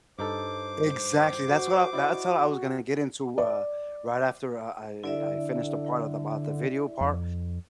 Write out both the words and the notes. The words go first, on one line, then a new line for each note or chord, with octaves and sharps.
exactly. That's what I that's what I was gonna get into, uh, right after I I I finished the part of about the video part.
G2 D#4 A4 C5 D6
F#4
E4 F#4 D5 D#5
D5
D3 E4 D5 E5
F2